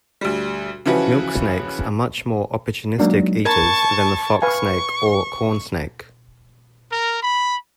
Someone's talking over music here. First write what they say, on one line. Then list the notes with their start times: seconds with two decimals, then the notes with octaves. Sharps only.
Milk snakes are much more opportunistic eaters than the fox snake or corn snake.
0.21 D2 G3
0.86 C#3 E3 F3 E4 F#4 B4
2.98 F#3 G#3 A#3 D4 D#4 F#4
3.45 A#4 A5 B5 C#6 G#6
4.42 B4 F5 G#5 C#6
6.92 A#4
7.23 B5